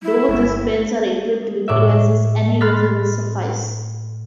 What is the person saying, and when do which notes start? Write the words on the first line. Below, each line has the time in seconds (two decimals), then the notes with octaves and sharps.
Though these pens are equipped with erasers, any eraser will suffice.
0.03 E4
0.28 G1
1.68 A2 D5 E5
2.61 B5 C6 F6 F#6 A6 B6